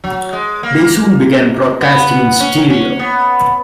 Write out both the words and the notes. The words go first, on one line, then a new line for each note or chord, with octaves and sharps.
They soon began broadcasting in stereo.
F#3
G#3
A#3
B3
C#4
C#4
B3